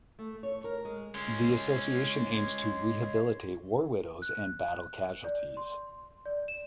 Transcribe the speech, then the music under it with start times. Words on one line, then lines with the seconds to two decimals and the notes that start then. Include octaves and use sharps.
The association aims to rehabilitate war widows and battle casualties.
0.19 A3
0.43 C#5
0.64 A#4
0.85 G#3
1.14 G#3 C#4
4.22 F#6
5.25 D5
5.57 C6
6.26 D5
6.48 E7